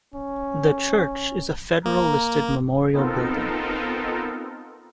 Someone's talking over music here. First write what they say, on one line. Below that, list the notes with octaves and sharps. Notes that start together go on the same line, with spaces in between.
The church is a federal listed memorial building.
C#4
A#3 A#5
B3 C4 D#4 F4 A4 A#4